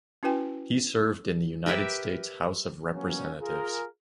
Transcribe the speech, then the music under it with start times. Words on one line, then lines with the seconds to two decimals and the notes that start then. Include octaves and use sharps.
He served in the United States House of Representatives.
0.23 C#4 E4 F#4 B4 G5 G#5
1.66 G4 A#4 B4 E5
2.92 F#3 A#3 B3 C#4
3.40 F4 G#4 A#4